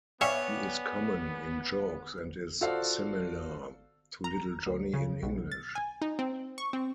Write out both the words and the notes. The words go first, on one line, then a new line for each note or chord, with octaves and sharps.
He is common in jokes and is similar to Little Johnny in English.
B3 C#5 D5 E5 F5 G5 G#5 C#6
F4 F#4 A4 C5 D5 F5
A#5
D2
C#3
B1
A6
G#5
D#4
C4
C#6
C4